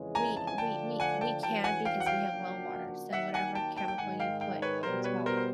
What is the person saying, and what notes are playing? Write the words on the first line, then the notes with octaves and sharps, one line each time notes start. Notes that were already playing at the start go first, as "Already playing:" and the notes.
We we we we can't because we have well water, so whatever chemical you put on top
Already playing: F2 C#3 E3 G#3
G#5 A#5
A5
G#5
D3 F3 A3 D4 G5 A5
F#5 G#5
G5 A5
G2 E3 G#3 C#4 F#4 G5 A5
F#5 G#5
F5 G5
F#5
F5 G5
C#3 F3 A#3 D4 F#4
D#3 F#3 A#3 D#4 G4 E5 F#5
F#5 G#5
G5 A5
G5 A5
G5
G#2 D#3 G#3 F#5 G#5
F5 G5
F5 G5
B4 C#5
B2 G3 B3 A#4 C5
B4 C#5
A#4 C5
C5